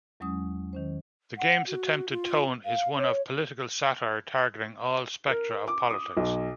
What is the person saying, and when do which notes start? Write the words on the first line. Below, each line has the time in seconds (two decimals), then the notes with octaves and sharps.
The game's attempted tone is one of political satire, targeting all spectra of politics.
0.20 E2 F#3 G#3 C#4 D#6
0.73 D#3 C#4 C5
1.38 F#5
1.67 F#4
2.10 F4
2.65 F5
2.98 C#5
5.28 A#4
5.68 D6
5.91 D#6
6.17 B1